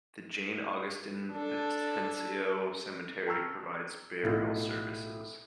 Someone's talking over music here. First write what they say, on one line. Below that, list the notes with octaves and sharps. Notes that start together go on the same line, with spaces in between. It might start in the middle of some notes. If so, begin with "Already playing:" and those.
The Jane Augustine Patencio Cemetery provides burial services.
D4 A4
G5 A5 A#5 C#6 E6 F6
B1 A2 F4